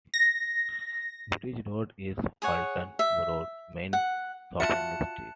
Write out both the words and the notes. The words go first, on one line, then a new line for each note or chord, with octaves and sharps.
Bridge Road is Oulton Broad's main shopping street.
A#6
G#4 C#5 F#5
E5
F#5
F4 F#4 E5 A5 F#6 C#7